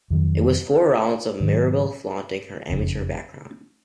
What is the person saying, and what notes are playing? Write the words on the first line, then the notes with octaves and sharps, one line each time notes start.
It was four rounds of Maribel flaunting her amateur background.
F2 D#3 F#3
G#2 D#3 F#3
F#1 F2 C#3